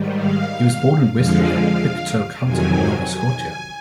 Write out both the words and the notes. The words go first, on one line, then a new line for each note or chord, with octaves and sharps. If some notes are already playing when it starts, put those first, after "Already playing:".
He was born in West River, Pictou County, Nova Scotia.
Already playing: G#2 D#3 G3
F5
F2 D3 F3 G#3 F5
F2 C3 D#3 F#3 G#5
G#5
G#5